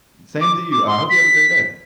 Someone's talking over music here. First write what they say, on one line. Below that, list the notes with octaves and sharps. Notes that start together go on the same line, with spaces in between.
Same to you, I hope you have a great day.
D6
D6
C6
B6